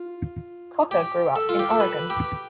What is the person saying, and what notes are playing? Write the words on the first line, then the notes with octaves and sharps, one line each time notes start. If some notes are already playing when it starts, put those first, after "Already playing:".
Kocher grew up in Oregon.
Already playing: F4
G4
A4
F4
G4
A4
B4
G4